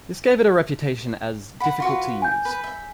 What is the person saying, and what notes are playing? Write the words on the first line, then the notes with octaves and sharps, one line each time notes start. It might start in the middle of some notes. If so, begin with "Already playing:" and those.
This gave it a reputation as difficult to use.
F#5 B5
F4 F#4 B4
G#5 G6
B4
E5